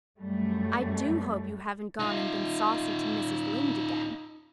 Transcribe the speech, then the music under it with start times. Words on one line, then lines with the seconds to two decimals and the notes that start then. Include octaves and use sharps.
"I do hope you haven't gone and been saucy to Mrs. Lynde again."
0.20 F#2 G3 A3
1.99 D#4 F4